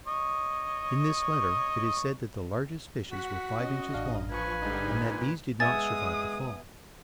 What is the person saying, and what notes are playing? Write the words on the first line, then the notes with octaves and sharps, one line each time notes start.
In this letter it is said that the largest fishes were five inches long, and that these did not survive the fall.
C#5 D#5
F#4 F#5 B6
C#4 D#5
A1 D4 F5
F3 B4 G#5 C#6
G#2 D3 G3 D#4
A#2
G#3 B3 E5 G#5 D#6 A6